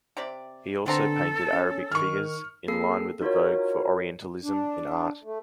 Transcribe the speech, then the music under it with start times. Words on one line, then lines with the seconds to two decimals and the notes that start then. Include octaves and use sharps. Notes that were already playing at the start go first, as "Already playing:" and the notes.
He also painted Arabic figures, in line with the vogue for Orientalism in art.
0.17 C3 G4 D5
0.86 D3 B3 C4 A4 A#5
1.53 C#4
1.92 D#3 C#6 F6
2.68 A#3 C4 G#4 A4 E6 C7
3.21 D#4 F4 F#4 A#4 C#5
4.42 D4
5.24 A3